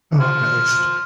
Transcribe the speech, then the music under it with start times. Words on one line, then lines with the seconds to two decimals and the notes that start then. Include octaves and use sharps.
Oh, nice.
0.20 C5 F6